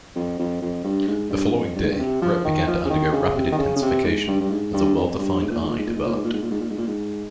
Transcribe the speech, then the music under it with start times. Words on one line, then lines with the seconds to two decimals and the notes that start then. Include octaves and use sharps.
The following day, Bret began to undergo rapid intensification, as a well-defined eye developed.
0.16 F2
0.39 F2
0.62 F2
0.84 G2
1.07 G#2
1.30 G2
1.53 F2
1.75 G2
1.83 G#2
1.91 G2
1.99 C3
2.22 F3
2.45 D#3
2.67 F3
2.85 C#3
2.90 D#3
3.13 C#3
3.36 C3
3.52 D#3
3.58 C#3
3.76 C#3
3.82 C3
4.04 G#2
4.28 G2
4.40 G2
4.50 G#2
4.74 G2
4.96 F2
5.19 G2
5.41 G#2
5.50 A#2
5.60 G#2
5.69 A#2
5.79 G#2
5.87 A#2
5.96 G#2
6.05 A#2
6.14 G#2
6.24 A#2
6.33 G#2
6.42 A#2
6.51 G#2
6.60 A#2
6.70 G#2
6.78 A#2
6.88 G#2